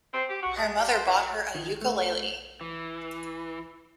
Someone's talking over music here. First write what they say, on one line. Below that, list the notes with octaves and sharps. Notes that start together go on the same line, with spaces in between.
Her mother bought her a ukulele.
C4
G4
F#4
G#3
G3
C5
E3
F#3
D#3
A3
E3